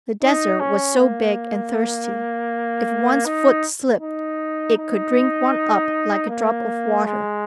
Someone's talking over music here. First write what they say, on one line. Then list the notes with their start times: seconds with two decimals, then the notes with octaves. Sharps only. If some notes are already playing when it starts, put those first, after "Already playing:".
The desert was so big and thirsty; if one's foot slipped, it could drink one up like a drop of water.
0.23 D#4
0.60 C#4
0.98 A#3
3.26 D#4
4.01 D#4
4.78 D#4
6.29 A#3
7.05 G#3